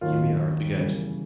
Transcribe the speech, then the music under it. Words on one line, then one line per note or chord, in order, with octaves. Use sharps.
Here we are at the gate.
D#2 D#3 F#3 F4
G1 F#2 C#3 E3 G3